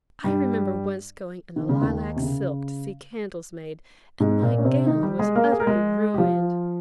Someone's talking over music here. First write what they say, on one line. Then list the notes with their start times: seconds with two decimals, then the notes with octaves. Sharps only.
I remember once going in a lilac silk to see candles made, and my gown was utterly ruined.'
0.24 G2 G3
1.56 D#3
1.69 C#3
1.82 D#2 D#3
2.16 C3
2.22 C#3
4.20 G#2 G#3
4.42 A#2 A#3
4.58 C#4
4.65 C3 C4
4.86 D#3 D#4
5.03 G3 G4
5.19 G#3 G#4
5.35 A#3 A#4
5.52 G#4
5.60 A#4
5.67 G#3 G#4
6.14 G4
6.18 F3 F4